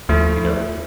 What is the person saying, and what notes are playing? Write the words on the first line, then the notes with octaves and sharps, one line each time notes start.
you know,
D#2 F3 A3 E4